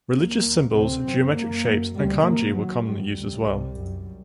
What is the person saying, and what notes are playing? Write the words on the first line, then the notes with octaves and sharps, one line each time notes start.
Religious symbols, geometric shapes and kanji were commonly used as well.
D#2 A#3
D#2
D2 C3 C4
F#2
F#2 A#3
F#2
D2 C3 G3
F#2 A#3
D#2 F#3
F#2 G3
D2 C3
C2 C3
F#2